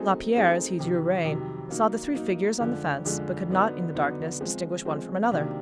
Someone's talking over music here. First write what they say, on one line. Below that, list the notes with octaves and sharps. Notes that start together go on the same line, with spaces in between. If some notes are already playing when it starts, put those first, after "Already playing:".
Lapierre, as he drew rein, saw the three figures on the fence, but could not in the darkness, distinguish one from, another.
Already playing: F#3 A3 C4 D#4 G#4
F#3 A3 C4 D#4 G#4
F2 C3 D#3 F#3
F2 C3 D#3 F#3
F#3 A#3 D#4
F#3 A#3 D#4
F2 D3 F3 G#3
F2 D3 F3 G#3
D3 F#3 B3 D#4
D3 F#3 B3 D#4
F3 G#3 C4
F3 G#3 C4
C3 D#3 F#3 A#3 D4